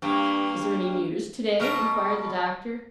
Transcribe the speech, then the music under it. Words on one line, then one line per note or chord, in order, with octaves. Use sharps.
'Is there any news today?' inquired the Doctor.
G2 A#3
B2 A#4